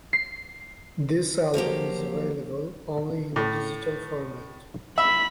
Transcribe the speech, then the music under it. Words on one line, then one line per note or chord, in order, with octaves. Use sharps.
This album is available only in a digital format.
C7
F3 F#3 A#3 G4
A2
E5 B5